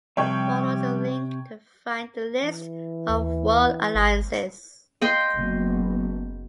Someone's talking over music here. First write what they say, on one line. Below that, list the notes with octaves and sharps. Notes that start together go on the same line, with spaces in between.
Follow the link to find the list of World Alliances.
C3 F3 G3 C#5 G5
E3
D#2
G#1
D#5 G5 C6
F#1 F#3 B3